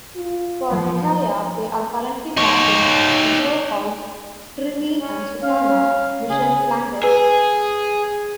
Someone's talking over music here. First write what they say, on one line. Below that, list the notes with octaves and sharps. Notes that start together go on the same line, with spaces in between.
For Vitaya they are currently taping a show called "Trinny and Susannah: Mission Flanders".
F4
F3
D#4 C#5
C#4
C#4 F5
C#3 G#4
G#4 B4